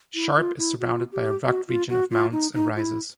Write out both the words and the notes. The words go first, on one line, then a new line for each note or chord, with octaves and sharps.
Sharp is surrounded by a rugged region of mounts and rises.
E4
F4
E4
F#4
F4
G4
F#4
F4
F#4
F4
D#4
D#4
F4
E4